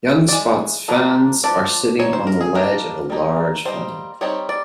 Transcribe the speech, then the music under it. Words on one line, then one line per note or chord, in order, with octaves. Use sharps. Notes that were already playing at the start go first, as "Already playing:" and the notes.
Young spots fans are sitting on the ledge of a large fountain.
D5
E3 G#3
F3 A#3 D4
F3 A#3 D4 D5
D#3 G3 A#3 C#5
C5
A#4
G#4
D#3 G3 A#3 D4 A#4
G3 A#3 D#4
G3 A#3 D#4 C5
G3 C4 D#4 C#5
D5